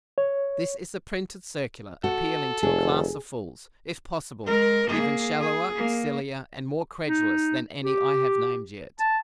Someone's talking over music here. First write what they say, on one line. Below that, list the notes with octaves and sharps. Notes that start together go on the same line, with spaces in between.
This is a printed circular appealing to a class of fools, if possible, even shallower, sillier, and more credulous than any I have named yet.
C#5
F#4 A4
F1 G#4
G#3 A#4
A#3 G#4
G#4
A#3
D#4
G4
A5